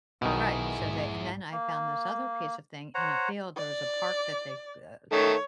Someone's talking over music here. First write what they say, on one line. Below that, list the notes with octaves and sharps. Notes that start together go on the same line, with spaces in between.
You're right. So they And then I found this other piece of thing in a field. There was a park that they, uh,
B1 B2 D#3 E4 G#4
G#2
A#3
C5 C#5 F#5 A#5
D5
D#3 A3 C#5